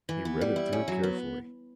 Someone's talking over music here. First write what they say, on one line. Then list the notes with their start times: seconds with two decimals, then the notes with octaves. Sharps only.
He read it through carefully.
0.09 E3
0.25 B3
0.41 G3
0.56 E4
0.73 C#4
0.88 F#3
1.03 B3